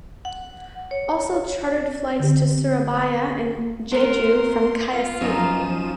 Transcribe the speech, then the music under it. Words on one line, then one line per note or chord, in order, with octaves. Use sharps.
Also chartered flights to Surabaya and Jeju from Kaohsiung.
F#5
C#5
D3 C4 G4
B3 A#4 C6
F4
F#2 F3 D#4 D#7 E7